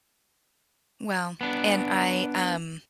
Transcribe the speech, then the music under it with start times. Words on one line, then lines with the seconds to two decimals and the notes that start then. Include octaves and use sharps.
Well and I, um
1.41 B3 D4